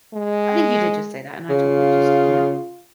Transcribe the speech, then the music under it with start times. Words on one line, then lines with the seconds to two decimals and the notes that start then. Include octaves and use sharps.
I think you did just say that, and I totally just my
0.13 G#3
1.50 C#3 F4